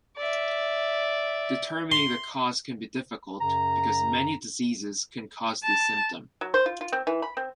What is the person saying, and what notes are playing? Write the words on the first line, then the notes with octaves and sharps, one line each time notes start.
Determining the cause can be difficult, because many diseases can cause this symptom.
D5 E5
C6
F#2 C#3 A#5
A5
F#3
C5
F4
F4
C4
E3
B5
C4